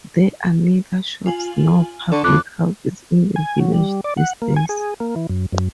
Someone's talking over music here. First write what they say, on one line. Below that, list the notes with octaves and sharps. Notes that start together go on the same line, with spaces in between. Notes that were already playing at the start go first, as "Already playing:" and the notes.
There are neither shops nor public houses in the village these days.
F4 G#5 F#7
D3 A4 D5 C#6
F2 D6 F#6
G#5
F#3
G3
D5
F#5
A#3
G#5
G#4
A#3
E3
F#2
F#2